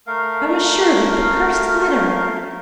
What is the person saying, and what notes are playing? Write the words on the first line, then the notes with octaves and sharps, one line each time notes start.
"I was sure of it--the cursed letter!"
A3 A#4 F5